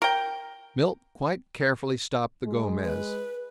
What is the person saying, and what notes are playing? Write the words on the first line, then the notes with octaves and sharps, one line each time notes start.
Milt quite carefully stopped the Gomez.
A#4 G5
G#3
B4